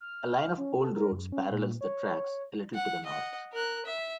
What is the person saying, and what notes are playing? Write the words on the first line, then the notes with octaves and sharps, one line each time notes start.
A line of old roads parallels the tracks, a little to the north.
F6
C#4
A4
A#4
F#2
C#4
A#2
C#5
F#5
D#5 F#5
A#4 F#6
E5